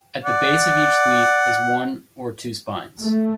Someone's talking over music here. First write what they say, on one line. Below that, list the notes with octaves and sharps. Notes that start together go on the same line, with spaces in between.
At the base of each leaf is one or two spines.
D5 F#5
A3